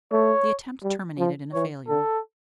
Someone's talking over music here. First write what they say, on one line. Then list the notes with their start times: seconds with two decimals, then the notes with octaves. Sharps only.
The attempt terminated in a failure.
0.12 A3 C#5
0.83 G3
1.19 F3
1.53 E3 C#5
1.88 D3 A4